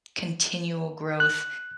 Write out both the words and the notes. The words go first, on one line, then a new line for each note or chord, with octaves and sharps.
continual growth,
F#6